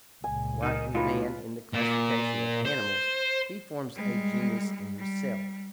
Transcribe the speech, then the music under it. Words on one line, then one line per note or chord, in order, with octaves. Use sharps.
Like man in the classification of animals, he forms a genus in himself.
C#2 A#2 G#5
D#3 D#4
A2 F#3 D#4 F4 B4
A#2
C5
G3 G#3
G3